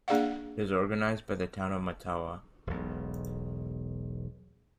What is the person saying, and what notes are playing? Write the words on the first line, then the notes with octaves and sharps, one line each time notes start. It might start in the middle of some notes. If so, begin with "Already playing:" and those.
It is organized by the Town of Mattawa.
A#3 D4 G#4 D5 F5 F#5
E1 B1